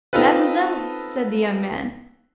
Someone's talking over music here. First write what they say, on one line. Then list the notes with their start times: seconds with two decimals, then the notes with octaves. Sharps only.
"Mademoiselle!" said the young man.
0.13 C4 D#4 F4 A4 B4